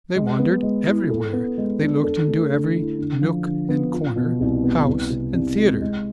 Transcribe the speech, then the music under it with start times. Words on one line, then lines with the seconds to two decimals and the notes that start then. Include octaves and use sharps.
They wandered everywhere, they looked into every nook and corner, house and theater.
0.16 G#3
0.39 B3
0.62 G#3
0.86 E4
1.10 A4
1.33 B3
1.58 G#3
1.80 D4
2.04 A4
2.28 A3
2.51 D3
2.75 E4
2.98 D3
3.22 F3
3.46 D3
3.69 B3
3.93 F4
4.16 B2
4.40 C2
4.63 B3
4.87 C2
5.10 C3
5.34 C2
5.58 G#3
5.81 G#3